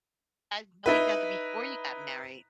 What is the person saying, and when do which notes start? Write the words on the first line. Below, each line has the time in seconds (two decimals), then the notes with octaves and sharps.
guys know each other before you got married?
0.86 D#4 E4 B4